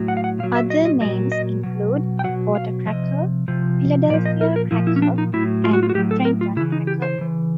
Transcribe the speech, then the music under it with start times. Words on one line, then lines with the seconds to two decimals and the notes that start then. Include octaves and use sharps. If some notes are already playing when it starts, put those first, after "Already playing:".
Other names include "water cracker," "Philadelphia cracker," and "Trenton cracker".
Already playing: A2 F#3
0.08 F#5
0.17 F5
0.24 F#5
0.39 A#2 F5
0.43 F#3
0.55 E5
0.70 D#5
0.85 D#5
1.01 A#2 F#3 D#5
1.32 D#5
1.63 B2 F#3
2.19 G5
2.24 F#3 F#5
2.29 B2
2.55 F5
2.86 C3 F3 D#5
3.48 C3 F3
4.10 A#2 D5
4.14 F3
4.26 D#5
4.41 A#4
4.56 A#4
4.71 A#2 F3 E4
4.87 E4
4.96 C#4
5.02 D4
5.18 D#4
5.33 A2 F#3 E4
5.64 F4
5.73 F#4
5.83 F4
5.90 F#4
5.94 A2 G4
5.98 F#3
6.11 A4
6.25 A#4
6.41 F4
6.56 C#3 E4
6.60 E3
6.72 D#4
6.87 G4
7.02 C5
7.18 C#3 E3